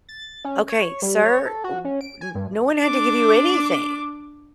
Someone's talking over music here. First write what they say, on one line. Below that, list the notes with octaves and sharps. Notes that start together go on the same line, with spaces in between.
"Okay, Sir w n no one had to give you anything!
A6
C#4
C#5
G3
C#5
A4
F#4
C#4
D7
G#5
G2
D4 D6